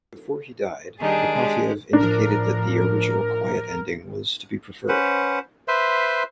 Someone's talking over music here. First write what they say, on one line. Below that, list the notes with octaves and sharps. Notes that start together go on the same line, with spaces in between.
Before he died, Prokofiev indicated that the original quiet ending was to be preferred.
D#3 G3 D4 D#4 G#4
G#3 G4
A2 F3 D4 A#4
C#4 B4 C5 F#5
B4 C5 E5 C6